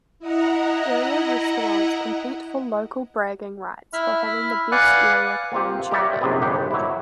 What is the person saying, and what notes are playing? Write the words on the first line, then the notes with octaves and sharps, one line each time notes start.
Area restaurants compete for local bragging rights for having the best area clam chowder.
E4 D#5 F#5 A#5
E4 E5 B5 F6
B4 D5 F5 F#5 G#5 F#6
A#3 C4 F4 G4
G4 A#4 C#5 D5 E5 F#5
A#1 F#2 C3 D#3 G#4 B4
G1 D#3 G4 F#5
F#3 E4